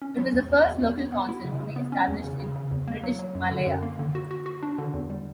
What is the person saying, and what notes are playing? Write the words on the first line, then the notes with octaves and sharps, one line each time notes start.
It was the first local council to be established in British Malaya.
C#4
F#3
E2
E2
E2
E2
B3
B3
E4
C#3
C#3
B3
C#4
E2
C#3
C#3
C#3
E2
A#3
F#3
F#3
F#2
D3
F#2
A#3
D3
F#4
F#4
F#4
D4
D3
E2
G3